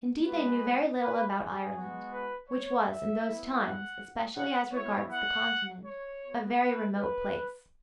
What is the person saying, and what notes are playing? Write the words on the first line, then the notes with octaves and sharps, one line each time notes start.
Indeed they knew very little about Ireland, which was, in those times, especially as regards the Continent, a very remote place.
G#3 B3 F#4 B4
B4
G#4
G#3 B3 F#4
B4
C#5
E5
B3 E4
F#5
F#5
B3 E4 C#5
F#5
C#5
B3 F#4
B4
B4